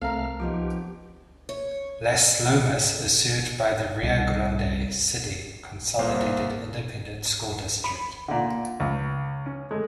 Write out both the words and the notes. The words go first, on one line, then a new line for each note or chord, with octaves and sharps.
Las Lomas is served by the Rio Grande City Consolidated Independent School District.
C2 A3 C4 A#4 F5 A5 F6
F3 B3 D#4 G4
C#5
C2
C2 A#3 C5 F5
B5
A#2 D3
C#2
C#4
G#3 A3